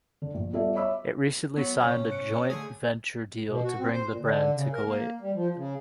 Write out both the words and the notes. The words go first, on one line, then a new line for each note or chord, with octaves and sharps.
It recently signed a joint venture deal to bring the brand to Kuwait.
D3
A#1
G3 B3 F4 A4 D5 E5
C#5 D#5 E5 B5 D6 E6
F#3 B3
A2 C3 C#4
F#6 C#7 D7
D3 A3 G#4
B2
F#4
C4
C5
A#2
D3
C#3
A#4
A#3
G3
F3
C#3